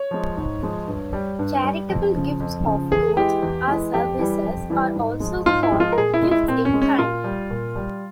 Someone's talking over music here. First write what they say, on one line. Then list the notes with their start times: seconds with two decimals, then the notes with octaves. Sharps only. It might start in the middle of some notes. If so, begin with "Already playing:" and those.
Charitable gifts of goods or services are also called gifts in kind.
Already playing: C#5
0.11 F3 G#3
0.37 G#2
0.63 F3 G#3
0.88 G2
1.13 G3
1.39 G2
1.64 G3
1.89 F2
2.15 C#3 F3
2.40 F2
2.66 C#3 F3
2.91 E2 G#4
3.17 E3 G#3 G4
3.43 E2
3.68 E3 G#3
3.94 F2 G4
4.19 E3 G3
4.44 F2
4.70 E3 G3
4.95 G#2
5.20 F3 G#3
5.46 G#2 F4
5.63 E4
5.71 F3 G#3
5.80 F4
5.92 A#4
5.98 A#2 G#4
6.14 E4
6.22 G#3
6.31 E4
6.48 A#2 C4
6.65 C#4
6.73 G#3
6.82 C#4
6.99 A#2 F4
7.24 G3
7.51 A#2
7.76 G3